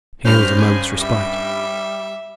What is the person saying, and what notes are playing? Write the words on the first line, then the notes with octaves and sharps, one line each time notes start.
Here was a moment's respite.
G2 C#4 C5 F6
G#4
G3 E5